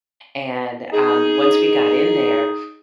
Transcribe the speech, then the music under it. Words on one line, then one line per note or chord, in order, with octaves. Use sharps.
and, um, once we got in there,
D#4 G#4